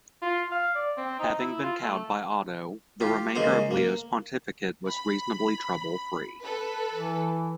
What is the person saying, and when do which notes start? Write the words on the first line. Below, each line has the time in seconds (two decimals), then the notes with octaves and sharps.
Having been cowed by Otto, the remainder of Leo's pontificate was reasonably trouble free.
0.22 F4
0.51 F5
0.75 D5
0.97 C4
1.19 D#4
1.39 E4
1.63 F4
1.82 A3
3.01 F4 G4
3.35 C#3 G#3 A#3 C5
3.71 A#3
4.87 B5
6.43 A4 B4
6.93 E3